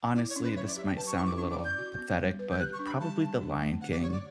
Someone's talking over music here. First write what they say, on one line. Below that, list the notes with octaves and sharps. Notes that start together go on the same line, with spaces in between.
Honestly, this might sound a little pathetic, but probably the Lion King.
E4 D5
C#5
C#4
B4
F#3 C#5
D5
G4 E5
G5
B4 A5
C#6
E4 C#6
D6
C#4 C#6
D6
D5
G6
F#4
B3
G3
B4
G6
G4 F#6
C#6
D4
B5
G3 A5
G3
D4
A3
D3 F#5
D5
G4 C#5
D5